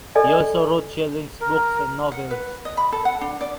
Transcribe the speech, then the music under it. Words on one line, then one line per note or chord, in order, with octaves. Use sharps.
He also wrote children’s books and novels.
A4 D5 D#5 G#5
A#4
F#5
B4
D#5
B5
A4
F#5
D4
D5